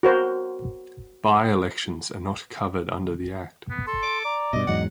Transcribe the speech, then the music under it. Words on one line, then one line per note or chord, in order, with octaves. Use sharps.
By-elections are not covered under the act.
F#4 A#4 C5
B3
A4 C6
D6
D5 A#5
G2 B2 D#5
E2 G#2 F#3 D#5 F#5